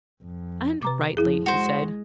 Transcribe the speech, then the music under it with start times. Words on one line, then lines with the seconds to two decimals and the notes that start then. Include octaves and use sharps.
"And rightly," he said.
0.23 F2
0.83 C3 B4 A#5 D6
1.17 F2 F3 E4 G#4
1.46 G#3 F#4 C5